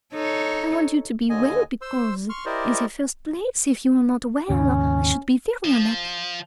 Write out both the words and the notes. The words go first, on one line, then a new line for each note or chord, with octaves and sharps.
I want you to be well, because, in the first place, if you were not well, I should be very unhappy.
D#4 A4 C#5
D#2 D3 D#5 G#5
C5 C6 E6
C6 C#6 F6
E4 G4 A#4 C5 D5 D#5
D#2 G#2 C#3 C#4
F3